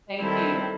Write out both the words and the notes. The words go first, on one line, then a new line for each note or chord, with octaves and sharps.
Thank you.
D#3 G3 C4 E4 A4